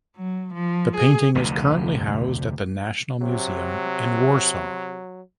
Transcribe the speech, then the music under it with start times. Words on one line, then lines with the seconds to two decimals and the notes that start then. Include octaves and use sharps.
The painting is currently housed at the National Museum in Warsaw.
0.16 F#3
0.54 F3
0.96 G#4
1.35 F1 D2 C3
3.21 C3 F#3